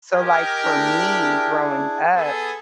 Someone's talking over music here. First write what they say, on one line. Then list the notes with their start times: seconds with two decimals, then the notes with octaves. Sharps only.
So, like, for me growing up
0.13 G4 A#4 D#5 G#5
0.63 D4 E4 G#4
2.15 B3 G#4 A4